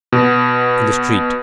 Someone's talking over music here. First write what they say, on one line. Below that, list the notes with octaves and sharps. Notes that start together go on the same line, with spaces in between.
"In the street."
B2